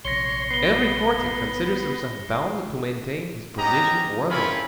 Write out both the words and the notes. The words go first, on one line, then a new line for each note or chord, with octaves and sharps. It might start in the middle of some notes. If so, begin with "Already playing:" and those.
"Every courtier considers himself bound to maintain his position worthily."
A#1 C3 C#5 C6 A#6 C#7 G7
B3 C7 G7
B3 C#4 G4 D#5 A#5
C4 C#4 E4 F4 A#4 B5